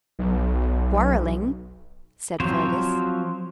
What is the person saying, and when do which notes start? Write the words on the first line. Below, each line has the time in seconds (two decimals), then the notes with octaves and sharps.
"Quarrelling," said Fergus.
0.19 B1
2.40 F3 F#3 C4 C5 C#5